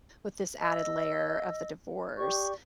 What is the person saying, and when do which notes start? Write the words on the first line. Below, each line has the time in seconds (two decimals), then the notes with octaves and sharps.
with this added layer of the divorce.
0.60 D#5 E6
2.18 G4 D5 C#6